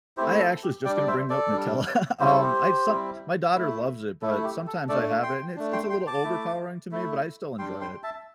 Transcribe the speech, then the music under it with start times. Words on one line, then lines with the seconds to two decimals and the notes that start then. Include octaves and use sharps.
I actually was just gonna bring up Nutella. Um, I some my daughter loves it, but sometimes I have it, and it's it's a little overpowering to me, but I still enjoy it.
0.17 A3 C4 E4 G4 C5
0.40 A4
0.63 G4
0.85 G3 D4 D5 G5
0.97 D5
1.08 C5 E5
1.30 A4 D5
1.52 G3 D4
2.20 G3 C4 E4 C5
2.31 A4
2.42 G4 C5
2.87 G3 C4 E4
3.54 A3 E4
4.22 A3 E4 A4
4.44 G4
4.67 A4
4.89 A3 D4 A4 D5
5.23 G5 C6
5.56 A3 D4
5.73 G5 C6
5.90 G5 C6
6.07 A5 D6
6.24 A3 E4
6.91 A3 E4
7.58 G3 D4 G5 C6
7.81 G5 C6
8.03 E5 A5